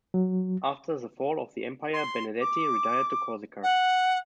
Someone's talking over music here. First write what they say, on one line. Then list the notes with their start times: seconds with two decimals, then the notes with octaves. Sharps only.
After the fall of the Empire Benedetti retired to Corsica.
0.14 F#3
1.94 C6
2.41 D6
3.63 F#5